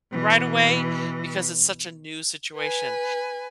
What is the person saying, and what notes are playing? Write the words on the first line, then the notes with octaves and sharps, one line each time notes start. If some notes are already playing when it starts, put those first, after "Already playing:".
right away because it's such a new situation.
B2 E3
B4 G#5